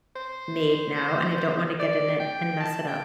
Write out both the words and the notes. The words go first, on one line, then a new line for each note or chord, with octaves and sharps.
made now, and I don't wanna get in it and mess it up.
C5
D5
G5
A5
G5